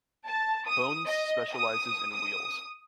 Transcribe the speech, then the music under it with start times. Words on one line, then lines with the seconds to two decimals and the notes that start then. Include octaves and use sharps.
Bones specializes in wheels.
0.26 A5
0.68 D#6
1.06 D#5
1.54 D#6
2.12 D#6